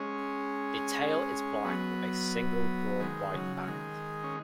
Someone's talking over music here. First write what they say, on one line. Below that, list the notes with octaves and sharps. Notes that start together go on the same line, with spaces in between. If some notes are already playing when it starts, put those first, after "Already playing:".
The tail is black with a single broad white band.
Already playing: G#3 C#4
F#3 B3
D#3 G#3
C#3 F#3
F#3
D#3 G#3
C#4